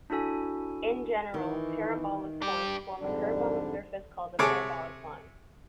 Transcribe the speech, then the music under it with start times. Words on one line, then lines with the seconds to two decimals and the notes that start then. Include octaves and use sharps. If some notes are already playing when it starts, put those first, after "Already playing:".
In general, parabolic points form a curve on the surface called the "parabolic line".
0.10 D4 E4 F#4 A4 G#5
1.34 D#3 E3
2.42 G3 D4 G4
2.99 F2 G#2 D3 G3 D4
4.39 C3 G#4 A4 C#5 D6